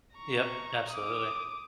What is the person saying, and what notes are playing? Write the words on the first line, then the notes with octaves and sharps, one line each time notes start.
Yep, absolutely.
A#5 C#6
D6 D#6